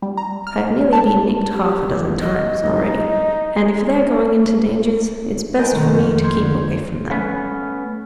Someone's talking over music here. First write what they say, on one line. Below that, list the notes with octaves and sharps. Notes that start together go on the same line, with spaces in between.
"I've nearly been nicked half a dozen times, already, and if they're going into dangers it's best for me to keep away from them."
G3
A#5
F6
A5
G4
D#5
D#4
A#4 D#5 F#5 G#5 D#6 G6
B2 D#3 G#3 A3
F2
C6 G6 G#6
D3
A3 B3 C#4 B4